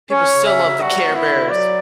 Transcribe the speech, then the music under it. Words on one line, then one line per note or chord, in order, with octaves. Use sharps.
People still love the Care Bears.
C#4 C#5
C#3
E5
F#3
G3 F#4
B3
E4
D3
F#3 D5